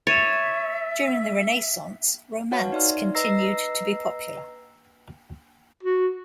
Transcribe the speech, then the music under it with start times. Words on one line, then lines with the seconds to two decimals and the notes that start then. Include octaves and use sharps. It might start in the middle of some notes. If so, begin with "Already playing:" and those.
During the Renaissance, romance continued to be popular.
0.07 C#5 E5 A6 D#7 E7
2.51 F#4 B4 C#5 F5 F#5 A5
2.72 D#4 D5 E5 C6 F6
3.15 B4 D#5 A#5 E6 A#6 C7
5.83 F#4